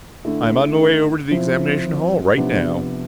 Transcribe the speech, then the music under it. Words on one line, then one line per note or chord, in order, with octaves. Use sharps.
"I'm on my way over to the examination hall right now."
D3 A3 E4
F3 C4 E4
C3 F3 B3 D4